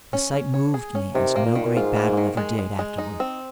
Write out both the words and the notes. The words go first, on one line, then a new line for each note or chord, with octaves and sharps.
The sight moved me as no great battle ever did afterward.
C#4
C#4
C#5
G#4
C#4
C3 D#3
A#3
A#2
D#3
A#2
G#2 F4
A#3
D#3
G#3
G#3
G#3
D#4
C4